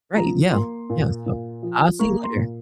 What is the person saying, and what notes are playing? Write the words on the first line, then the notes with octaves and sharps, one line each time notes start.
Right, yeah, yeah, so I'll see you later.
F3 A#5
A#3 C6
A#2
A#2
F3
A#3 C#6
C6
A#2